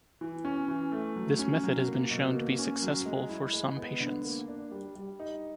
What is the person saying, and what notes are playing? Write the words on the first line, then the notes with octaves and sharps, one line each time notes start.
This method has been shown to be successful for some patients.
E3
C#4
E3
A3
F#3
C#4
F#3
A#3
B2
A#3
C#4
F#3
G#3
E4
G#3
B3
D3
A#3
D4
G3
G3
D#4